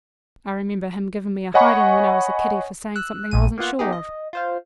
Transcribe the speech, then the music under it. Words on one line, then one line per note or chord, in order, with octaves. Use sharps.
I remember him giving me a hidin' when I was a kiddy for saying something I wasn't sure of.
C#5 D#5 F#5 G#5 B5 C#6
E6 F#6
A#1 A#2 D#7
A#3 B3 F4 F#5
B3 D#4 G4 G#4
D#5
F4 C5 F5